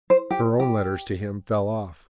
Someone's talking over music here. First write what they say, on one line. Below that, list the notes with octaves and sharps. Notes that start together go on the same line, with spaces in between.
Her own letters to him fell off.
C5
G4
G4